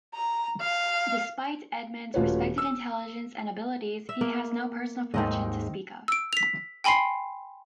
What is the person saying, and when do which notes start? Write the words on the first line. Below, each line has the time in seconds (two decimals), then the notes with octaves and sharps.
Despite Edmund's respected intelligence and abilities, he has no personal fortune to speak of.
0.14 A#5
0.61 F5
2.14 D#1 A3 F4 F#4 B4 C#5
2.58 E6
4.09 E5
4.21 A#3
5.14 D#2 G#2 D#3 C4 D#5
6.08 E6 D7
6.33 B6 F7
6.84 G5 G#5 B5 C6 C7